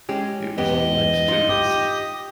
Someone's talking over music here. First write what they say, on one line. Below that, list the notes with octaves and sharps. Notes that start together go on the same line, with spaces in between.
It was on my to-do list.
G#3 C#4 G4
E2 B3 G4 D#5
D#4 F4
G4 D#6